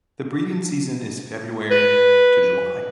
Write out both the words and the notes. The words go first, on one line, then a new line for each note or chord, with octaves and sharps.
The breeding season is February to July.
B4